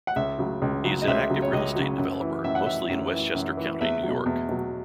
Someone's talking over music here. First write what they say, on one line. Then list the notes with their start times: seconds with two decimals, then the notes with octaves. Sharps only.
He is an active real estate developer, mostly in Westchester County, New York.
0.07 F#5
0.16 C#2 E5
0.38 C#3 F#3
0.62 C#2
0.84 C#3 F#3
1.02 D#5
1.07 C#2 E5
1.30 C#3 F#3
1.42 C#5
1.53 C#2 D#5
1.76 C#3 F#3
1.98 F#2
2.20 E3
2.44 F#2 E5
2.55 F#5
2.66 E3 E5
2.89 F#2
3.12 E3
3.35 F#2
3.57 E3
3.81 E2 E5
4.03 B2 F#3
4.26 E2
4.49 B2 F#3